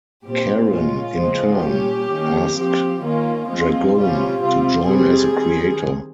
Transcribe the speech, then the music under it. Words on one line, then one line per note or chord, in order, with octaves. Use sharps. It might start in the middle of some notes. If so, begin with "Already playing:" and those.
Caron, in turn, asked Dragone to join as a creator.
A#2 G3 C4 G4
A#2 G#3 C#4 F4
C#3 F3 G#3 C4
A#2 G3 C#4 G4
D#3 A#3 C#4
F3 C4 G4
D#3 A#3 C#4 F4
F3 G#3 C4 F4
C3 G3 C#4 F4
C3 G3 C4 F4
C3 G3 C4 G#4
D#3 G3 C4